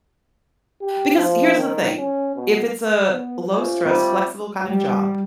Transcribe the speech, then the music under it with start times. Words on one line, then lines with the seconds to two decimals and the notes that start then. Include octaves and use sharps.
because here's the thing, if it's a low-stress, flexible kind of job
0.81 G4
1.17 F3
1.57 D#3
1.97 C#4
2.36 B2
3.12 B3
3.49 C3 C#4 F4
3.85 G3 A3 C4 D4 E4
4.66 G3